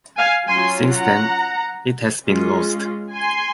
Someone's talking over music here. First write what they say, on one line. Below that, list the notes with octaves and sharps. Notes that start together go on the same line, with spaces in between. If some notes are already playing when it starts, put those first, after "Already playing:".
Since then it has been lost.
F5 G#5
F#3 C#4 F4 G#5 C6
F#5 A#5
G#3 C#4 F4
G#5 C6